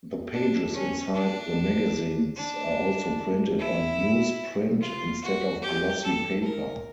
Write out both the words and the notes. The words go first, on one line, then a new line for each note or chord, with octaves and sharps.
The pages inside the magazines are also printed on newsprint instead of glossy paper.
D4
C#4
D4
D4
E4
F4
F#4
G4
A4
A#4